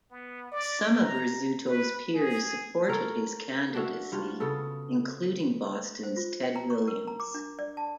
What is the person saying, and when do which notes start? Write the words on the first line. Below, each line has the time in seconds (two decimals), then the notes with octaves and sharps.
Some of Rizzuto's peers supported his candidacy, including Boston's Ted Williams.
0.11 B3
0.52 D5
1.00 A#5
1.67 B4
2.15 G#4
2.88 F4 A4 A#4 C#5
3.74 D4 F#4 E5 F5
4.12 G2 F4 F#4
4.40 C#3 B3 A4
6.03 C5
6.16 F4
6.43 G5
6.56 A#5
6.70 C#6
6.88 A#4
7.07 A#5
7.20 D6
7.34 D4
7.59 D5
7.77 A5